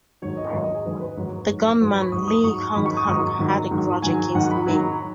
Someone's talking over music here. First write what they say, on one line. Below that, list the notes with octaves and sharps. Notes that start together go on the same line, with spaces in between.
The gunman, Li Hung Hung, had a grudge against May.
G#2 D#3 F#3 C#5
D#5
G#2 D#3 F#3 D#5
D#5
G#4
G#2 D#3 F#3 B4
B4
G#2 D#3 F#3 C#5
G#2 F#3
G#2 F#3 B4
B5
C#6
G#2 F#3 D#6
D#6
G#2 F#3 C#6
G#2 D#3 F#3 B5
C#6
D#6
G#2 D#3 F#3 C#6
G#2 D#3 F#3
G#2 D#3 F#3
G#2 D#3 F#3 G#5
G#2 D#3 F#3 F#5
B5
G#2 D#3 F#3